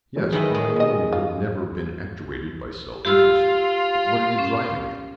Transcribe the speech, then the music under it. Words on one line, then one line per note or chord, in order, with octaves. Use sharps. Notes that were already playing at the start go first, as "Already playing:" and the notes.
"Yes, for I know you have never been actuated by self-interest. But what are you driving at?"
E3 F#3 G#3
D#3 G#4 B4 D#5 E5
G#3 D#6
D#3 D#5
F4
F4 G4 E6 F6
C#4